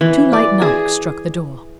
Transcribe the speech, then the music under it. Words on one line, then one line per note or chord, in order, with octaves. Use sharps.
Two light knocks struck the door.
E3
D5
G#4